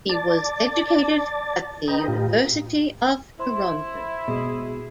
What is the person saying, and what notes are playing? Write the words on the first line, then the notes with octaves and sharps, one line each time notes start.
He was educated at the University of Toronto.
D5 A5 A6
B4 D#5 G5 A#5
A2 F4 G4
E4 C5 B5 C6
B2 G#3 G#4